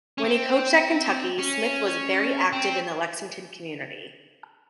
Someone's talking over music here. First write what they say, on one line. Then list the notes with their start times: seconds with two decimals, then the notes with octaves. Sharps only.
When he coached at Kentucky, Smith was very active in the Lexington community.
0.18 C#4
0.24 C4
1.39 C#4
2.53 C4